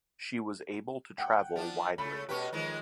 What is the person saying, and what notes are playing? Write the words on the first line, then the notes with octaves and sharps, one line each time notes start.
She was able to travel widely.
F#5 G5
F3 D4
C#3 A3 B5
B2 C#4 G4 B4 C#6
D#3 F3 G#3